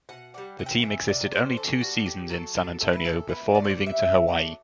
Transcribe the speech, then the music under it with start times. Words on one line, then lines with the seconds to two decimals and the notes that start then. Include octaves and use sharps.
The team existed only two seasons in San Antonio before moving to Hawaii.
0.09 B2 F#5
0.34 G3 D4 F#5
0.59 C3 F#5
0.66 G5
0.75 F#5
0.83 E3 B3 E5
1.08 C3 D5
1.32 G3 D4 C5
1.57 E3 A4
1.81 G3 B3 D4 F#4
2.06 D3 G4
2.30 F#3 A3 A4
2.55 F#3 A4
2.80 A3 E4 A4
2.93 B4
3.05 E3 A4
3.28 B3 E4 B4
3.54 A2 D5
3.64 C5
3.70 D5
3.78 G3 D4
3.87 E5
4.02 B2
4.28 F#3 A3 D4